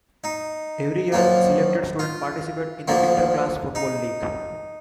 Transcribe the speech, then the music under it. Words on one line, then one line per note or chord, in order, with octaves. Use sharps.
Every year, selected students participate in the Inter-class football league.
D#4
F#2 F3 A#3
F4
D2 D3 F3 A#3
D#4